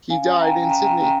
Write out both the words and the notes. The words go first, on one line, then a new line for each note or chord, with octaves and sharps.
He died in Sydney.
C#4 F5 G#5
G5 A#5
C#4
G5 A#5
C#4 G5 A#5